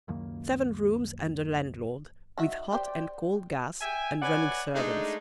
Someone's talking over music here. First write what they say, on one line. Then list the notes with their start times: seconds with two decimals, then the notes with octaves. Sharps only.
Seven rooms and a landlord, with hot and cold gas and running servants.
0.08 C#2 F#2 D#3 A#3
2.38 D#3 F#4 E5
2.73 G4 C5 D5 G5
3.81 E5 G5 G#5
4.22 B4 C#5 D5 F#5 G#5
4.74 G#3 A3 D4 D#4